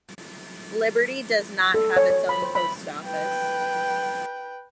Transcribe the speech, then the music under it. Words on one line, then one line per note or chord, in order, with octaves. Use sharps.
Liberty does not have its own post office.
A4
C#5
C#5
B5
C5
B5
B4 G5